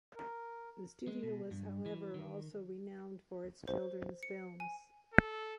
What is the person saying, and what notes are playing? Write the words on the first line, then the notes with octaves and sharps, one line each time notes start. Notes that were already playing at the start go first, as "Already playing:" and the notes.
The studio was, however, also renowned for its children's films.
A#4
G#3
B2
G2
E3
D#3
C5
C#7
G#5
A4